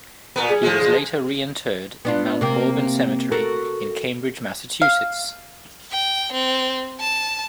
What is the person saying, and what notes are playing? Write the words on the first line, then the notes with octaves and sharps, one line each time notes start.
He was later reinterred in Mount Auburn Cemetery in Cambridge, Massachusetts.
A#2 B3 F#4 A#4 B4
G3 G#4 G#5
F3 G#3
E3 D4
G#5
B3 D4 F4
C3 A#3 C4
F#4 A4 A#4
F5
G5
C4
A5